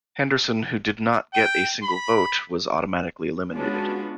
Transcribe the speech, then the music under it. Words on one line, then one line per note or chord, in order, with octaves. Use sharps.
Henderson, who did not get a single vote, was automatically eliminated.
G5
B5
G#3 B3 C#4 D4 F4 F#4